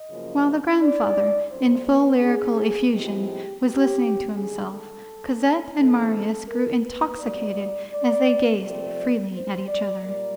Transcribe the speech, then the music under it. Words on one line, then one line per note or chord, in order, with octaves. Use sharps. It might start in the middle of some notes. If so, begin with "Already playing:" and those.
While the grandfather, in full lyrical effusion, was listening to himself, Cosette and Marius grew intoxicated as they gazed freely at each other.
Already playing: D#5
F#2 C#3 F3 A#3
D5
A#2 F#3 A3 C4 C5
B4
G#4
A2 F3 G#3 C4 G4
G4
D#2 D3 G3 G#4
A4
C3 E3 A3 C4 A4
A#4
B4
B2 G3 B3 D5
D5
C3 F3 A3 C4 D5
C5
D5
A#2 G3 A#3 D5